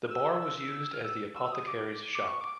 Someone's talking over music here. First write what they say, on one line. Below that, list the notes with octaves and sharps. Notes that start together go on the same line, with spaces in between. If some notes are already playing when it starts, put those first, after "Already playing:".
The bar was used as the apothecary's shop.
E6
E6
E6
E6
F6
E6
E6
D#6
D6
D6
C#6
D6